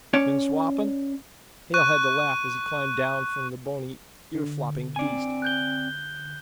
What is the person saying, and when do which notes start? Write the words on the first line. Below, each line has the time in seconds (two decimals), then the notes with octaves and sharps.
"Been swappin'?" Hale had to laugh as he climbed down from the bony ear-flopping beast.
0.13 C#4 C#5 D5
1.74 C#6 F#6 D#7
4.35 D3
4.96 C4 D5 G#5
5.42 F#6 G6 G7